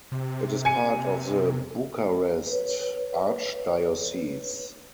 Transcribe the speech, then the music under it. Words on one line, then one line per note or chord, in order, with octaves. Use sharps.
It is part of the Bucharest archdiocese.
C3
G#5 C#7
B4 C#5